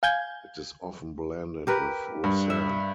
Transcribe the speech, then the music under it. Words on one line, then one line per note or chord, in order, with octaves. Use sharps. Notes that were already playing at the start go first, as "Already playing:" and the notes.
It is often blended with Roussanne.
F5 G#5 G6 G#6
G4 A#4 B4
G2
E5